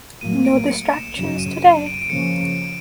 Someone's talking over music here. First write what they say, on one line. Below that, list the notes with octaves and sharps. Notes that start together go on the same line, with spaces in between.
No distractions today.
A2 F#3 A#3 D#7
D7
C#7
E7
F#2 C#3 F#3 E7
D#7
D#7
D7
D#7
D7
C#3 F3 A#3 C#4 C#7
D7